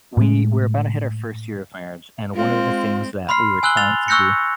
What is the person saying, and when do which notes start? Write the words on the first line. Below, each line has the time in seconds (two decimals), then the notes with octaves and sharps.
we we're about to hit our first year of marriage, and one of the things that we were trying to do
0.17 A2 G#3
2.35 G#3 C4 F4
3.29 B5 C6 F6 C7
3.63 G#5 E6 F#6 F#7 G7
3.77 F6 A6 F7 G7
4.08 C#6 E6 F#6 G6 A#6 C#7